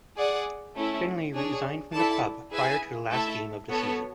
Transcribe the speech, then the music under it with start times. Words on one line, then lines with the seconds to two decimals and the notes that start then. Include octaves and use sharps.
Finley resigned from the club prior to the last game of the season.
0.17 G#4 D5 F#5
0.75 A3 C#4 E4 A4
1.34 D4 G#4 C#5
1.93 E4 A4 D5 A5
2.52 E4 G#4 B4 E5 G#5
3.10 A3 E4 A4 E5 A5
3.69 B3 F#4 A4 C#5